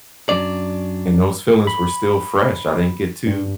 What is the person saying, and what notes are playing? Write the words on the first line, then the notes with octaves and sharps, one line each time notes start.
And those feelings were still fresh. I didn't get to
F#2 D#3 F#3 D4 D5
B5
G2